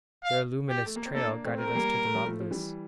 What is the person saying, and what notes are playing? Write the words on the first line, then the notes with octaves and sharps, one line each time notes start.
Their luminous trail guided us to the Nautilus.
F5
G4
A3
A#3
C4
A#3 D4 A4
A3 C4
A#4
A3
G3 A#3
A3
G3
F3 A3
F3
E3 G3